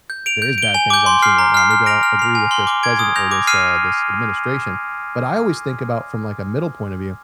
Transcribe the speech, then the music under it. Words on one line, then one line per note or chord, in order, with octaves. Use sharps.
There is bad things I'm seeing right now. Maybe I don't agree with this president or this uh, this administration,” but I always think about from, like, a middle point of view.
G6
D7 F7
G6
D7 G7
G#5
D6 G6
C6
F6 C7
A#5
F6 C7
F6
A#6 D7 F7
F6
C7 F7
G#5
C6 F6 C7 G7
D6
G#6 D7
D#6
G6 A#6 F7
D6
F6 C7 D#7